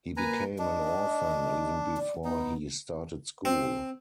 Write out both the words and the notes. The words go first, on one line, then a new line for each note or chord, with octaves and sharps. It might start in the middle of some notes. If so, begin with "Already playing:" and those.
He became an orphan even before he started school.
A#3 B4 G#5 A#5
D4 D#5
D5
B3 D#4
C4